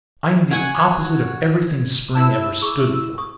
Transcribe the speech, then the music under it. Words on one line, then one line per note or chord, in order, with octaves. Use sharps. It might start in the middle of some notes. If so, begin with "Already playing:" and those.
I'm the opposite of everything spring ever stood for.
F#4 F#5 G#5 G#6
E4 A5 E6
G#4 C#6
C#6 D#6